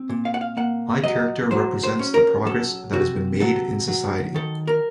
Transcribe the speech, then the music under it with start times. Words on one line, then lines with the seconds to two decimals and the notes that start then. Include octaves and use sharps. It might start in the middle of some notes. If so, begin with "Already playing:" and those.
My character represents the progress that has been made in society.
Already playing: C4
0.09 A#2
0.25 F5
0.34 F#5
0.41 F5
0.57 A#3 F#5
1.04 F#3 D#5
1.51 F#3 C5
1.83 C5
1.99 C#4
2.14 A#4
2.46 F#3 A4
2.93 C3 F#4
3.40 F#3 A4
3.88 F#3
4.34 D#3 A4
4.67 A#4